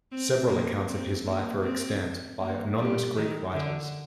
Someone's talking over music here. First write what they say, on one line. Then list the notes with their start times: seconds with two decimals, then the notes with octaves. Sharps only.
Several accounts of his life are extant, by anonymous Greek writers.
0.12 C4
0.49 A#3
0.88 C4
1.26 A#3
1.64 C4
2.40 A#3
2.79 G3
3.16 D#3
3.54 D3